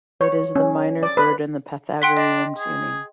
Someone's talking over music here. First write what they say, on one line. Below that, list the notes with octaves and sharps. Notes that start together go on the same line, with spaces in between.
It is the minor third in Pythagorean tuning.
C#5
C#4
D5
B4
F#5 G5 C6 B6
D4 D#5
G#4